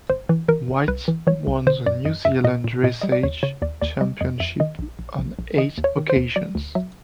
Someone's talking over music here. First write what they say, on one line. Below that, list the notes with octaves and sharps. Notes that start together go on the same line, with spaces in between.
White won the New Zealand dressage championship on eight occasions.
G1 C5
E3
E3 A#4
G1
C2 B4
E3
E3 C#5
C2
D3 C5
F#2 D5
F#2 D#5
F#2 E5
A#2 D#5
A#2
A#2 D#5
G3 D#5
D5
D#2 C#5
C#3 C#5
D#2 D5
D#2 D5
G3 D#5
F2 D#5
F2 E5
D#3 D#5
A#1
A#1
A#1
A#1
D#3 D#5
D#2
C#5
D#3
C5
D#2
F#3 D5
D2
F#3 E5